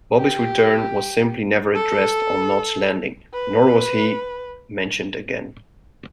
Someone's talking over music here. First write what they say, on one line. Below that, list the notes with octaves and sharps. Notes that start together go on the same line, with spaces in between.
Bobby's return was simply never addressed on "Knots Landing", nor was he mentioned again.
G4
A4
B4